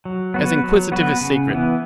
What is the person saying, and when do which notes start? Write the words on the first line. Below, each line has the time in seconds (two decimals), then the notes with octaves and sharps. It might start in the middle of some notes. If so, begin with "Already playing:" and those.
As inquisitive as secret.'
0.05 F#3
0.34 B3 F#4 B4
0.64 F#3
0.92 B3 F#4 B4
1.21 C#3
1.49 E3 B3